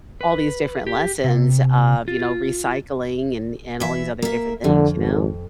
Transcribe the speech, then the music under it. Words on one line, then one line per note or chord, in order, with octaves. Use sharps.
All these different lessons of, you know, recycling and and all these other different things, you know?
B4
G4
C3
F4
E3 E5
A#3 E5
F2 D3
G#1